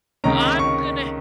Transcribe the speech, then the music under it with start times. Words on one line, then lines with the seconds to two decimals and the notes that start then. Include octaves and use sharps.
I'm gonna
0.24 C#2 C3 D#3 A#3 C#4 A#5
0.59 C#6